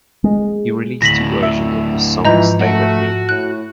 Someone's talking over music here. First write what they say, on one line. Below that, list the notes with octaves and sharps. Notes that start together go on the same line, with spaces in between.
He released two versions of the song "stay wit me".
G#3
D2 A2 A#6 B6 F#7
E5
G#2 E3 F3 D#5 A#5 G6
A3 F#4
A2 F#6